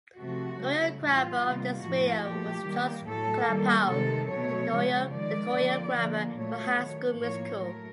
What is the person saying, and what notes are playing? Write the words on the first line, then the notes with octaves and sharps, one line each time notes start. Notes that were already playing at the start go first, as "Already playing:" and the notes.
The choreographer of this video was Charles Klapow, the choreographer for "High School Musical".
C3 F3 A3 F#4
C#3 F#3 A3
A2 E3 G3 F4
C3 D#3 G3 A#3
A2 F3 A3 F#4
A#2 F3 A3 G4
D#3 G3 A#3
A2 F#3 A3 A4
D#3 G3 A#3
C3 D#3 G#3 A4
B2 F#3 A3 C#5
C#3 F3 G#3
D#3 G#3 D5
D3 F3 A#3
D3 F3 A#3
A#2 F#3 A3 C#5
D#3 F#3 A3
A2 F3 A#3 C#5
F#3 A3 A#4